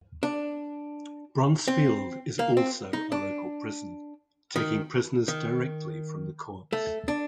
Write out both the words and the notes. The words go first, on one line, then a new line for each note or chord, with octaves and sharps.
Bronzefield is also a local prison, taking prisoners directly from the courts.
D4
C4
A#3
C4
D#4
D4
D#3
D#3
A3
D4